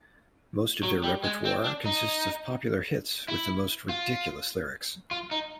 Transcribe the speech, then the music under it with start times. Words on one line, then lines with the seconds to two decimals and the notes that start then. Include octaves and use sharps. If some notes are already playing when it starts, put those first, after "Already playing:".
Most of their repertoire consists of popular hits with the most ridiculous lyrics.
0.83 F#3
1.04 G3
1.24 G#3
1.45 C4
1.64 D4
1.86 D#4
3.28 E4
3.89 F4
5.11 F4
5.31 D#4